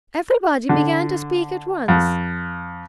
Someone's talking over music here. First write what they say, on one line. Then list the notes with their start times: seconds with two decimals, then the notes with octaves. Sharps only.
Everybody began to speak at once.
0.69 D3
1.88 F2